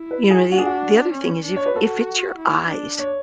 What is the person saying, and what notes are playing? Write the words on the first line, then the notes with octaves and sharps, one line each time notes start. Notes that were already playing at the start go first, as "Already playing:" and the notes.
You know, the the other thing is if if it's your eyes
Already playing: E4
B4
G#4
D4 F#4
G#4
F#4
C#4
D4
C#5
B4
F#4 A4
E4
D4
C#5